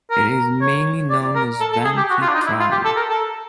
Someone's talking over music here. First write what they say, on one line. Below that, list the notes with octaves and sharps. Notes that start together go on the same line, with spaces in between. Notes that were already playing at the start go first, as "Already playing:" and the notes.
It is mainly known as "Van Fleet Drive".
A#4
C#5
D5
A#4
A4
A4
G#4
G4
F#4
F4
D4
D#4
E4
F4
G4
A4
A#4
A4